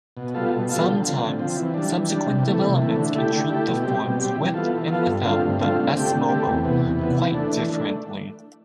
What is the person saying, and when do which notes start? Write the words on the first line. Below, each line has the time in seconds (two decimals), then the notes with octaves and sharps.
Sometimes subsequent developments can treat the forms with and without the s-mobile quite differently.
0.17 B2
0.34 G3 B3 F4 A4
0.51 B2
0.69 G3 B3 F4 A4
0.87 D3
1.04 F3 C4
1.22 D3
1.39 F3 C4
1.56 E3
1.74 G3 D4
1.91 E3
2.09 G3 D4
2.26 C3
2.44 E3 A3
2.62 C3
2.79 E3 A3
2.96 D3
3.15 A3 E4 G4
3.32 D3
3.50 A3 E4 G4
3.67 B2
3.84 G3 C4 G4
4.01 B2
4.19 G3 C4 G4
4.36 E3
4.54 B3 F4 A4
4.72 E3
4.89 B3 F4 A4
5.06 G2
5.24 D3 A3 C4 F4
5.42 G2
5.59 D3 A3 C4 F4
5.77 D3
5.95 A3 C4 G4
6.12 D3
6.29 A3 C4 G4
6.47 E2
6.64 C3 E3 B3
6.81 E2
6.99 C3 E3 B3
7.17 E3
7.34 A3 D4
7.52 E3
7.69 A3 D4